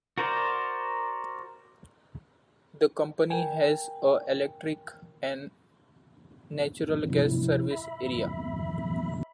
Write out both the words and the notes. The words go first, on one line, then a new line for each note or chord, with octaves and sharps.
The company has a electric and natural gas service area.
F#4 A#4 C5 D5 F5
A#4 G5 G#5
C3 F3 E4
E5 B5